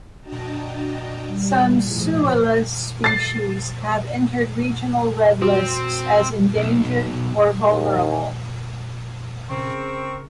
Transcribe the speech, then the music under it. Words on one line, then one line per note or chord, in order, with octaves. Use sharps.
Some "Suillus" species have entered regional red lists as endangered or vulnerable.
D4 F#4 D#5 G5 A5 A#5
G3
A2 F3 G#4
A6 C7
C4 F#4
B1
D#2
C#3 C4 A#4 C#6